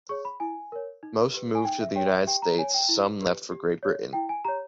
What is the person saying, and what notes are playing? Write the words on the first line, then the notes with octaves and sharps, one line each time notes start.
Most moved to the United States, some left for Great Britain.
G#4 C#5 C#6
B5
E4 G#5
A#4 C#5
D#4
G4 B4
G#5
D#4 G5
E5
G4 C#5 G5
E5
G4 G5
A#5
C#5 G#5
G5
E4
G4 B4
G4
C#5
E4 G5
G#5
G4 C#5 A#5